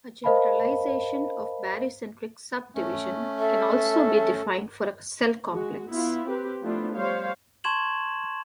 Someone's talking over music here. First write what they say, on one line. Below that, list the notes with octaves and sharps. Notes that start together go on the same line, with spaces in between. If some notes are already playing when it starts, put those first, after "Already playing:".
A generalization of barycentric subdivision can also be defined for a cell complex.
A#4 C5 D#5 F5 A5 B5
A3 C#4
A4 E5
G#3 F#4
B3 E4 F4
C4 G4 B4
F3 A3 B3 D4 E4 F4
G3 C5 C#5 F5
A5 C6 C#6 G#6 E7 F#7